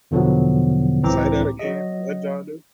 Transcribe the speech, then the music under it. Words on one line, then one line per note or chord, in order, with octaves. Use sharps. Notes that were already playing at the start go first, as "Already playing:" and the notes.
say that again. What did y'all do?
E2 B2 D3 F3 F#3 B3
C#2 A2 E3 C4 A#5 D6
F#3 D#5